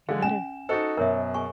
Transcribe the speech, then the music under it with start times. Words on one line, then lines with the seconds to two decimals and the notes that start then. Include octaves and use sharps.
it might've
0.09 D3 G#3 F5
0.22 C#4 G#5 E7
0.69 D#4 F#4 A4 C5 D#5
0.97 F#2 B2 A#4 C#5 E5
1.34 G#4 G#5 C#6